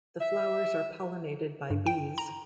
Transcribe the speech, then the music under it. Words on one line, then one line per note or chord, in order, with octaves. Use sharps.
The flowers are pollinated by bees.
E5
G2
G5
A#5